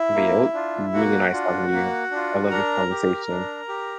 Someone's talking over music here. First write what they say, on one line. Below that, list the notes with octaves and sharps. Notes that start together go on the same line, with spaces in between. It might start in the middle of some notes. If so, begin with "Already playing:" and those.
but, yeah, it was really nice talking to you. I love this conversation.
Already playing: E4 E5
A#3
D4 F4
A#3 F#4 F#5
D4 F4
A#3
D4 F4
D4 A#4 A#5
G4
D4
G4